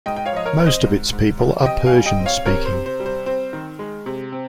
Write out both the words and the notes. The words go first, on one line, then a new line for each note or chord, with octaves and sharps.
Most of its people are Persian-speaking.
G#2 D#5 G5
G5
C#5 F5
F3 D#5
A#4 C#5
C4
C5 D#5
G#2
G#2
F3
C3 D#5 G5
F5 G#5
G3
D#5 G5
C4
C#5 F5
C3 A#4 C#5
C5
C3
C5
G3
C5
C4 C5
D#3
G#3
C3
C4